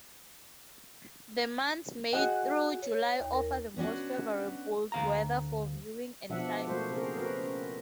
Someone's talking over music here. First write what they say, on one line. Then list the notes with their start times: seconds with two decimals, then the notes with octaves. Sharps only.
The months May through July offer the most favorable weather for viewing and climbing.
2.13 F#4 G#4 D#5 F#5 G5 F#6
2.82 C#5
3.20 D#2
3.33 A#4
3.77 B3 C#4 D4 F#4
4.92 D2 F5 A#5
6.30 B2 F3 D4 E5 F#5
6.67 A3 A#3 F#4 C5
6.91 C#3 C4 G#4 A#4
7.15 C#4 F#4 A#4 B4